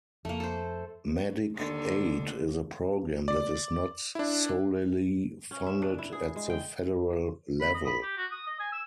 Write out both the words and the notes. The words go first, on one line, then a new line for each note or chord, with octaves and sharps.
Medicaid is a program that is not solely funded at the federal level.
F2 A3 A#3
A4 C5
D#2 D3
D5
D4 E4
C#4
E5
D4
E4
G#4
G#3
G5
B5
D#5
B5
G4
F#4
D#6
D#5
G#5
E6